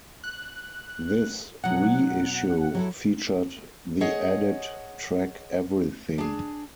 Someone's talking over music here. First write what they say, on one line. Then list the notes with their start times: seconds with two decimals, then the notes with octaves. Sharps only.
This reissue featured the added track "Everything".
0.24 F#6
1.64 B2 F#3 F#5
2.75 F#3 E4 A4
4.01 G#4 C#5 D#5 F#5
6.18 D4 G#4